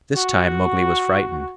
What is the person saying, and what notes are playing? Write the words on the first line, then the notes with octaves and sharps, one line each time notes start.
This time Mowgli was frightened.
F#4